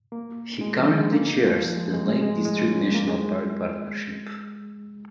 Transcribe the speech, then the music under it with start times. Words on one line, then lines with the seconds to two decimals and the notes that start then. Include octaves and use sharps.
He currently chairs the Lake District National Park Partnership.
0.12 A#3
0.61 G#3
0.78 F3
0.94 G#3
1.11 A#3
1.27 D#4
1.43 F4
1.60 F3
1.76 G#3
1.93 G#3
2.09 G#3
2.21 G#3
2.34 F3
2.45 G#3
2.58 D#4
2.70 C#4
2.83 A#3
2.94 A#3
3.07 G#3